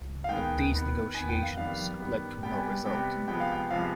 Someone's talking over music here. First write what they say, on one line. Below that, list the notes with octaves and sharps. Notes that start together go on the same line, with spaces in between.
But these negotiations led to no result.
F5
D#3 G#3 B3 G5
D#3 B3
D#3 B3 G#5
G5
F5
D#3 G3 B3 F5
D#3 G3 B3
C3 G3 B3 G5
G#5
G5
C3 G3 B3 G5
C3 F3 G#3 B3 G5
F5
G5
C3 F3 G#3 B3 F5